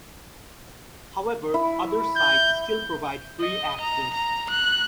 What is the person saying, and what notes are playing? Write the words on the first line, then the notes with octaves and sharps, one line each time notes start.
However, other sites still provide free access.
E4
G6
D#5
A#5
A#5
F#6